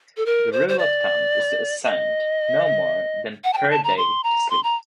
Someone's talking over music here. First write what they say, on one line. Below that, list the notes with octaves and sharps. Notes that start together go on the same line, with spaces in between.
The rule of thumb is to ascend no more than per day to sleep.
A4
A#4
C5
C5
D5
D#5
F#5
A5
G5
A5
A#5
C6
A#5
C6
A#5